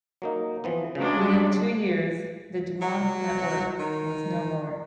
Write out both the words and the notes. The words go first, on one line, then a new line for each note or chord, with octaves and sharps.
Within two years, the DuMont network was no more.
F#3 A#3 D#4
E3 F3 B3
C#3 F#3 G#3 D4
F#3
D#3